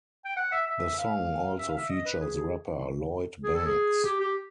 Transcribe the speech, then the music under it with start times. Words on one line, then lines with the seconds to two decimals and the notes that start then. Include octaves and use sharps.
The song also features rapper Lloyd Banks.
0.25 G5
0.37 F#5
0.52 E5
0.67 E5
0.98 F5
1.59 E5
1.68 F5
1.77 E5
1.89 D#5
2.05 B4
2.21 G#4
2.36 G#4
3.44 G#4
3.55 A4
3.66 G#4
4.05 G4
4.20 G4